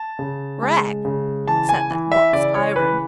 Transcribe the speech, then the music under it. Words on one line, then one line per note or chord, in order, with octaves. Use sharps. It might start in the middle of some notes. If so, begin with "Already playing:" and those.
"Rag!" said the box-iron.
Already playing: A5
C#3
G#3
C#3
E3 A5
G#5
E3
E5
C#3 D5
C#5
E3 B4